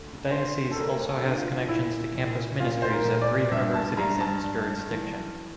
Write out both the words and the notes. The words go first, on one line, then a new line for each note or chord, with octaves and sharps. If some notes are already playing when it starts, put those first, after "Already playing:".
The diocese also has connections to campus ministries at three universities in its jurisdiction.
Already playing: D2
D3 C5
A4
D2 A#4
A4
D3
F4
A#2 E4
A#2
A#2 F4
C5
A#4
A#2
D5
G2 E5
A5
G2 A#5
A5
G2
E3